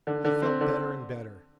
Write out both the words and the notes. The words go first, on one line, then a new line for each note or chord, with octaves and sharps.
He felt better and better.
D3
D3
C4
D3